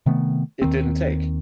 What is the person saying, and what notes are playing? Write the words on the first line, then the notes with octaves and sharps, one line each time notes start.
it didn't take.
C3 D#3 A3 B3
D#2 D#3 C4